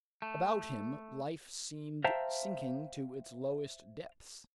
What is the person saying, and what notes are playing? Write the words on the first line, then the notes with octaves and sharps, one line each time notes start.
About him life seemed sinking to its lowest depths.
A3
C5 E5 F5 G5 A5 A#5